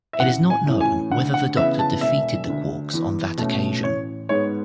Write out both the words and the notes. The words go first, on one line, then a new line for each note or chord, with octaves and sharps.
It is not known whether the Doctor defeated the Quarks on that occasion.
E5
A1 F#5
G#5
A2 E3 A3 C#4
G#5
D2 F#5
F#5
C#3 E3 B3 E5
A5
E1 E5
D2 D3
E2
B2 A3 C#4
A1 C#5
G#2 G#3 B3 C#5